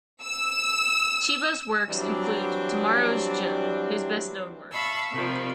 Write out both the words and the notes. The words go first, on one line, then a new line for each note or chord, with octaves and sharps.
Chiba's works include "Tomorrow's Joe", his best known work.
E6
E3 F#3 G3 C4 D4
E5 F5 A5 B5 C#6 E6
C3 D#3 F3 G3